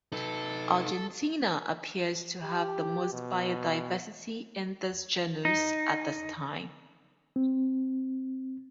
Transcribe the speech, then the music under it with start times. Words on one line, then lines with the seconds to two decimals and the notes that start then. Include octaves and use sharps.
Argentina appears to have the most biodiversity in this genus at this time.
0.13 D#4 A4 B4
2.44 G4
3.13 B2
5.45 D#4
7.36 C4